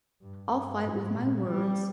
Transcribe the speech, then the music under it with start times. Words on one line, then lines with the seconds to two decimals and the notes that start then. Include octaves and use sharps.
I'll fight with my words,
0.21 G2
0.52 G2
0.84 G#2
1.14 A#2
1.47 G3